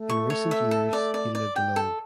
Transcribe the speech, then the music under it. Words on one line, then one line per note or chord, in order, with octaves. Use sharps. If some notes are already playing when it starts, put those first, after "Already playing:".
In recent years he lived alone.
Already playing: A3
C#6
C#5
E5
A4
D5
D5
D5
G5
A4